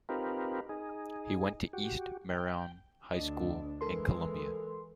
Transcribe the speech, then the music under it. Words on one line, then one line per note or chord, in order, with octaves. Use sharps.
He went to East Marion High School in Columbia.
C4 D#4 F4 G4 A#4 B4
D#4 G#4
F#4 G4
G5
D2 D4 D#5
E3 G#3 A4 A#4 C6